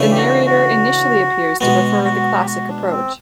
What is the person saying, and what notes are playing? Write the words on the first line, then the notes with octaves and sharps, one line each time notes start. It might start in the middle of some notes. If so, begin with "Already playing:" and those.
The Narrator initially appears to prefer the classic approach.
Already playing: C#3 E3 A3 D4
G4
F#4
F#4
B2 G#3 B3 F#4
F#4
G4
F#4
D4
C4